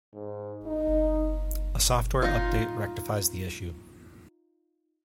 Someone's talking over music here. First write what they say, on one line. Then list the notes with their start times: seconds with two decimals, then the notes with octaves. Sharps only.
A software update rectifies the issue.
0.14 G#2
0.66 D#4
2.22 D#4 F4